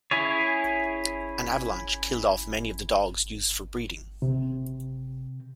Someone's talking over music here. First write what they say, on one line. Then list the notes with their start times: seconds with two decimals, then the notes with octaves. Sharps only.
An avalanche killed off many of the dogs used for breeding.
0.11 C#4 E4 G#4 C#5
4.22 C3